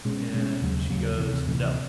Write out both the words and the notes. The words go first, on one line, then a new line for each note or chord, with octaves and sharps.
And she goes, "No,"
B2 G#3 C#4
B2 G#3 C#4
D#2 C#3 F#3
D#2 C#3 F#3
D2 C3 E3
D2 C3 E3